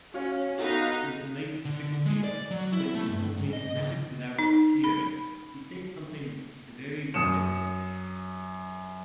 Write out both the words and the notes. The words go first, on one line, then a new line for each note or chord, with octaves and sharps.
In his late sixties, when composing "Magick Without Tears", he states something very different.
C#4 F#4 C#5 F5
B3 D#4 F#4 A4 B4 F5
D3
G#3
D5
F#3
E4
A3
G2
G#2
D#5
C#2
D#4
B5
F#2 D#6 C#7 E7